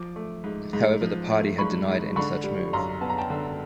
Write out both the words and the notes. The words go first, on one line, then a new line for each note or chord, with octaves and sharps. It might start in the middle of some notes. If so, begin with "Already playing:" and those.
However the party had denied any such move.
Already playing: F3 D6
A3
G#2
G#2
F3
A3
G#2 B5 C#6
G#2
D3 B5 C#6
G3
F#2 A#5 C6
B3 A5
A#5
G5 A5
D3